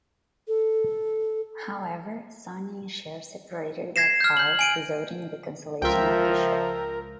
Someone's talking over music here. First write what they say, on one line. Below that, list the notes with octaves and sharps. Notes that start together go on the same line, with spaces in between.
However, Sonny and Cher separated that fall, resulting in the cancellation of the show.
A4
G#6 A#6 C7 E7
F6 G6
G6 F#7
G#5 D7 D#7
C#2 F3 F4 A#4 E5 G5